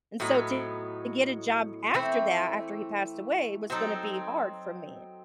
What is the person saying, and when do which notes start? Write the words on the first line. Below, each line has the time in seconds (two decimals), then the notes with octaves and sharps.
and so to get a job after that, after he passed away, was gonna to be hard for me,
0.20 A2 F#3 B3 D#4
1.94 E3 A3 C4
3.70 F#3 C4 D#4 A4